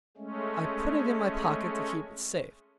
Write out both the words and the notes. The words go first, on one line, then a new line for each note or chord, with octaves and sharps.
I put it in my pocket to keep it safe.
G#3 A3 C#4